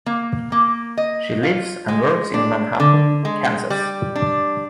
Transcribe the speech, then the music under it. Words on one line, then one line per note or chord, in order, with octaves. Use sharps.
She lives and works in Manhattan, Kansas.
A#3
A#3
D#5
F4
G#3
D4
D3
G#3
G3
D4